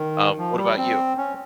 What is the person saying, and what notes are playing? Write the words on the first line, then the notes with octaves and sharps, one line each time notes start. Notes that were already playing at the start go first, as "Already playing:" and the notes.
Um, what about you?
Already playing: D#3
F3
G3
C4
C#4